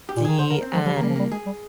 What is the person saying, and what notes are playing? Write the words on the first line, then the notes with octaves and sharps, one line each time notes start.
the, um,
G4
A#2
D#3 G#4
D3 C5
D3 A#4
C4
F3 G#3
F3 G3
D#3
G3 A#3
F3
G3 A#3
G#3 G#4
G3